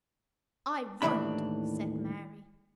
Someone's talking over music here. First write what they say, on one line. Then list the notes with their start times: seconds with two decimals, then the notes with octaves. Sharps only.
"I won't!" said Mary.
1.02 D#2 A2 D#3 E3 D4 B5